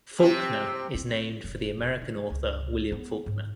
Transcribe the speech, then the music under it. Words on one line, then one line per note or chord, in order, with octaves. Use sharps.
Faulkner is named for the American author William Faulkner.
C3 C4
C4
F1
E1
D#4
C#2
B3
G#2